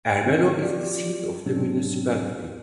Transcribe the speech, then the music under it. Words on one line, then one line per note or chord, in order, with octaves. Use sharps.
Ermelo is the seat of the municipality.
D3 D#3 C4 D4 G#4 D#5
F3 F4 G4 D5
G#2 B2 F#3 C4 D4